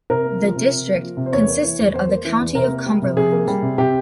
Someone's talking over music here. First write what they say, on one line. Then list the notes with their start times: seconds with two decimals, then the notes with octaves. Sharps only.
The district consisted of the County of Cumberland.
0.10 C3 A#4
0.25 A#3
0.41 F3
0.56 C3
0.71 C3
0.87 A#3
1.01 F3
1.17 C3
1.26 C5
1.33 E2 C#5
1.47 A#3
1.63 E3
1.79 E2
1.93 E2 C5
2.09 A#3
2.25 E3
2.40 E2
2.55 C3 A#4
2.71 A#3
2.86 G3
3.02 C3
3.17 C3 G#4
3.32 A#3
3.47 G3
3.62 C3
3.78 C3 G4